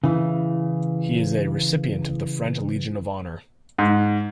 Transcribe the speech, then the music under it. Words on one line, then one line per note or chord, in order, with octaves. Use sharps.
He is a recipient of the French Legion of Honor.
C#3 E3
G#2